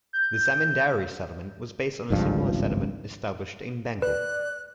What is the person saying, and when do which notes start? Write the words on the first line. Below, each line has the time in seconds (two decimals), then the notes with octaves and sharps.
The zamindari settlement was based on a similar settlement established in Bengal.
0.13 G6
2.10 G#1 C#2 G2 F3
4.02 B4 D5 F#6